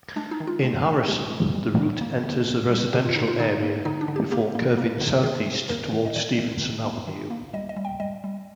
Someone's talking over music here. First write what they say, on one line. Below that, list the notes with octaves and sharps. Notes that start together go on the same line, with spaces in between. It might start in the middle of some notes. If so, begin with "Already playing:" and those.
In Harrison, the route enters a residential area before curving southeast toward Stephenson Avenue.
G#3 D4
D#4
D#3
F4
G#3
G#3
G#3 G4
G#3
G3
G3
A#3
D3
D3
G3
D3 G4
F4
D3 D#4
F4
D3 D#4
A#3
D3 D#4
D4
D3
G4
A#3 G4
A#3
A#3
D3
D#3 G#4
D#3
A#3 A#4
D#3
D#5
D#3 D5
D#3
D#3
A#3
D#3
A#3
G3 D#5
D#5
G3
G5
G3 D#5
G3